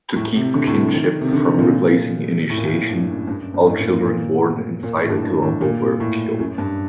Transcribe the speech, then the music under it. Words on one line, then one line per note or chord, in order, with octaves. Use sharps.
To keep kinship from replacing initiation, all children born inside a kilombo were killed.
A2
C3
D3
A2
D#3
C3
D3
C3
A#2
A2
A#2
A2
G2
F#2
G2
F#2
G2
A2
A#2
A#2
A#2
A#2
A2
G2
G2
A2
A#2
A2
F#2
G2